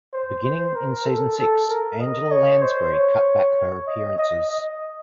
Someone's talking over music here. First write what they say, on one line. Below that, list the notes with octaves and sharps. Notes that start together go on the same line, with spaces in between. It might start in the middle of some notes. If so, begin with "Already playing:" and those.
Beginning in season six, Angela Lansbury cut back her appearances.
C5
C5
A#4
A4
A4
A#4
D#5
C#5
C5
C#5
D#5
D#5
D#5